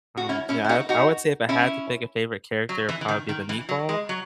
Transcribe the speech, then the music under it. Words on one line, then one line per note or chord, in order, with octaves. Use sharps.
um, you know, I I would say if I had to pick a favorite character, it'd probably be the meatball,
F#4
C#4 E4
C#4 E4
E4
D#4 F#4
D#4 F#4
C#4 E4
F#3
E3
E3
D#3
D#3
E3
F#3
G#3
F#3